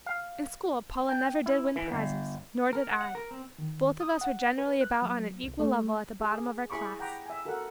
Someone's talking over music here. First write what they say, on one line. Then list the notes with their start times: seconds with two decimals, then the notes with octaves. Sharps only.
In school Paula never did win prizes--nor did I. Both of us were generally about on an equal level at the bottom of our class.
0.06 F5
1.09 G5
1.46 E4
1.76 E3
1.92 G1
2.73 A#4
2.89 F#5
3.01 F#5
3.15 A#4
3.31 C4
3.58 D#3
4.00 D#6
4.21 F#5
4.58 B4
4.81 F#6
5.02 F#3
5.43 C2
5.60 A3
6.20 G#4
6.70 E4 G#4 B5 C#6 D6
7.00 F#5 G5 A#5 B5 D6
7.26 E5 G#5
7.45 F#4 A4 A#4 E5 F#5